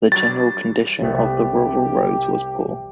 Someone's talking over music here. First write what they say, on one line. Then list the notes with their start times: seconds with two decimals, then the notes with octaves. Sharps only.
The general condition of the rural roads was poor.
0.12 F#3 G3 D4 A6
1.02 C2 A3 B3 G4